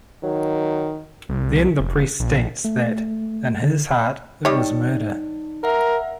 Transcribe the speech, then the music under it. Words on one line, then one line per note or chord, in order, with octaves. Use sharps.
Then the priest states that, in his heart, it was murder.
D#3 F#3
C2
F1
A#1
A3
D3
B5
D#3 G3 D#4 C#5
A#4 E5 F#5